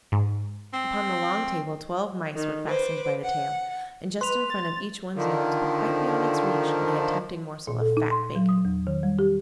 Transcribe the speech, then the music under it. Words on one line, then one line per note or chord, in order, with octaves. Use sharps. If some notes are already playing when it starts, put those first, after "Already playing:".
Upon the long table twelve mice were fastened by the tail, and just in front of each one's nose, but quite beyond its reach, lay a tempting morsel of fat bacon.
G#2
C4
D#3
B4 C5 D6
F#5
B4 C6 F7
A6
D3 D#3 F3
A#2
A4
D#4
C6
F#3
D#6
E2
D#3
G3
G4